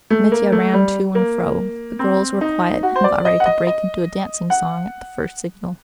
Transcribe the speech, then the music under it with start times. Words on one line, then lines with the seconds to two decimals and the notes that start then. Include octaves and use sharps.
Mitya ran to and fro, the girls were quiet, and got ready to break into a dancing song at the first signal.
0.10 A3
0.32 A#3
0.52 A3
0.73 G3
1.15 A#3
1.99 C4
2.41 D#4
2.83 F#4
2.96 C5
3.04 D5
3.25 D#5
3.40 F#5
3.46 D#5
3.67 D#5
4.50 F#5